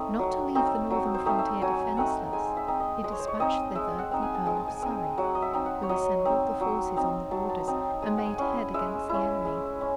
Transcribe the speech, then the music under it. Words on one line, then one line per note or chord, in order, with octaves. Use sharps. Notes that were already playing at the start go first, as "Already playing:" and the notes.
Not to leave the northern frontier defenceless, he despatched thither the earl of Surrey, who assembled the forces on the borders, and made head against the enemy.
Already playing: A3 C4 D#4 D#5
F#3
A3 C4 D#4
F#3 C5
C5
A3 C4 D#4
E5
F#3 G#5
A3 C4 D#4 F#5
G#3 G#5
E5
C4 D#4
D#5
G#3 D#5
C#5
C5
C#5
C4 D#4 D#5
G#3 E5
F#5
C4 D#4
G#5
A5
G#3 G#5
A5
G#5
C4 D#4
F#3 F#5
D#5
E5
C4 D#4
F#5
C#5
F#3 D#5
C4 D#4
F#3
C4 D#4
F#3 A5
A5
C4 D#4
G#3 G#5
F#5
G#5
C#4 E4
G#3 E5
C#4 E4
G#3
C#4